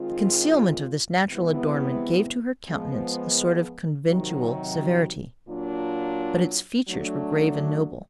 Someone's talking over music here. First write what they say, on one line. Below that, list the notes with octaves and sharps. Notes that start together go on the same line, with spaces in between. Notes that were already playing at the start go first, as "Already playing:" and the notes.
The concealment of this natural adornment gave to her countenance a sort of conventual severity; but its features were grave and noble.
Already playing: D#3 G#3 C4 F4
C3 E3 G#3 B3 E4
F3 G#3 B3
C3 D#3 F#3
A#2 F#3 A#3 D4 F4
F#3 A3 D4